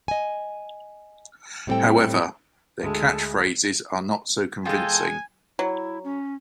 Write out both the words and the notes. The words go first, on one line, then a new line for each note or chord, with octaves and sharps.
However, their catchphrases are not so convincing.
D#5 G#5
A2 G3 A3 C4 A4 G5
D2 G#3 A4 G#5 A5
E2 G#3 F4 A4 G5 G#5
F#3 E4
C#4